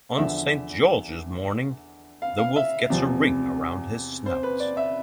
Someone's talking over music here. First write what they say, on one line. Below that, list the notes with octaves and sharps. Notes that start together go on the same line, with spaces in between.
On St. George's morning, the wolf gets a ring around his snout.
E2 D3 F3 E5
F5
F5
E5
E2 C3 F3
C5
B4
D5
E5